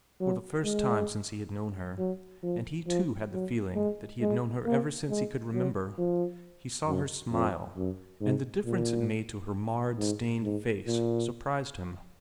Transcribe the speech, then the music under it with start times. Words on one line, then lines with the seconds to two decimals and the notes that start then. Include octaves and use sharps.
For the first time since he had known her--and he too had the feeling that he had known her ever since he could remember--he saw her smile, and the difference it made to her marred, stained face surprised him.
0.20 F#3
0.64 G#3
1.98 F#3
2.43 F3
2.87 F3
3.32 F#3
3.75 G#3
4.21 G#3
4.65 A#3
5.10 G#3
5.54 F#3
5.98 F3
6.87 F#2
7.32 F2
7.76 F#2
8.21 G#2
8.65 A#2
9.98 G#2
10.43 G#2
10.87 A#2